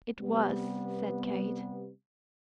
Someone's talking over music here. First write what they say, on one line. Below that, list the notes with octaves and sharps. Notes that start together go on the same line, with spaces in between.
"It was," said Kate.
C3 G3 B3